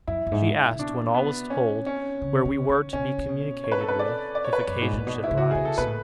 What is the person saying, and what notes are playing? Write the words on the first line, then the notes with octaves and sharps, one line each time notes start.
She asked, when all was told, where we were to be communicated with, if occasion should arise.
F#2 E4
F#2
G#2
C#3
B2 D4
B3
C#4
C#4
C#3
C#3
D3
C#3 C#4
C#3
B2
C#5
B4
A4
B4
D5
D5
C#5
B4
C#5
F#2
G#2
A2
B2
E4
C#3
F#4
C#3 G#4
A4
B2 B4
A2